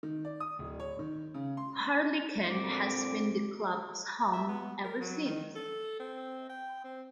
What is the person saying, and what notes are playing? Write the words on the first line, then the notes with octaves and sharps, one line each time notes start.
Harlyckan has been the club's home ever since.
D#3
D5
D#6
D1
C#5
D#3
C#3
C6
A#2 D3 C4 D6
E5
B3
A#4
F#3
D#3
A4
C4
G5
C4